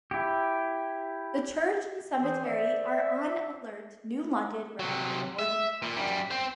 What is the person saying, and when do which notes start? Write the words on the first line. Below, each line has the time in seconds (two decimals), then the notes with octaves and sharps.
The church and cemetery are on Alert-New London Road in Morgan Township.
0.11 E4 G4
2.21 E3 C4 G#4 C5
2.45 C5 D5 E5
4.79 C3 F#3
5.39 E5
5.82 A#2
5.96 F#2 G3
6.31 C4 C5